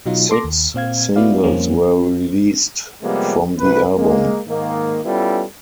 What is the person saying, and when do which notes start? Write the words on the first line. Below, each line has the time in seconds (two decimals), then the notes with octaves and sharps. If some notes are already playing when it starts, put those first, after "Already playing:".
Six singles were released from the album.
0.06 B2 F#3 D#4 F4
0.29 A4 C6 D6 A#6
0.44 D#2
0.74 A#2 C4 F5 G#6
1.16 B3 E4 F#4 D5 F5
1.43 F2 F3 G3 A#3 C4 C#4
3.02 C3 F3 G3 G#3 A#3 B3
3.59 C2 B4
3.97 G#3 A#3
4.47 G#2 D#3 A#3
5.05 G3 B3 C#4 E4 F4 A4